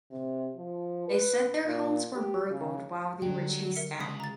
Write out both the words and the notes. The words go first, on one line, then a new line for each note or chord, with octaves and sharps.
They said their homes were burgled while they were chased out.
C3
F3
B4
A#2
G4
C#3
D3 F#3 G3 G5
A#4 E5 C#7
C#3 G#3 D#6 B6 C7
A#5 A6